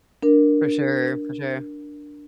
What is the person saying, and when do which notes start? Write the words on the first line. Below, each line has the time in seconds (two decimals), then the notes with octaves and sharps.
For sure, for sure.
0.23 D4 A#4